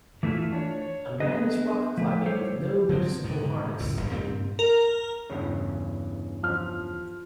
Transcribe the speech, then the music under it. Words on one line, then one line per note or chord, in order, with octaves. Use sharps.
A man is rock climbing with no noticable harness.
E3 A3 C4 E4 F4
D4 C#5
C#5
B3 D4 G#4 B4 D#5
F3 A3
F3 G3 A4 C5 C#5
D3 F#3 G#3 C4
G#2 B2 D3
C#2 F#2 A2
D#1 G2 F3
G2 A#2 C#3 C4
A#4
E2 G2 C#3
F3 F6